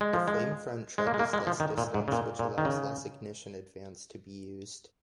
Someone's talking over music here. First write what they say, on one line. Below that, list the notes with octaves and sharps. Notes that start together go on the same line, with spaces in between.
The flame front travels less distance which allows less ignition advance to be used.
G#3
F3
G#3
G#3
A#3
G#3
A#3
G#3
F3
D#3
A#2
G#2
C#3
A#2
A#2
D#3
C#3